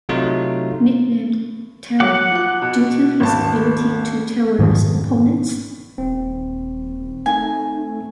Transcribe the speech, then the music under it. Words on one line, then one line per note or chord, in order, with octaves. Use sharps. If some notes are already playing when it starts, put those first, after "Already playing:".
Nicknamed "Terror" due to his ability to terrorise opponents.
C3 F#3 A3 D#4 F4
F#3 F#5 D6
F3 F#6
B2
G#1 D#2 A5
F2 G#2 B2 D#3 F3 A3
D#1 C4
A3 D#4 G#5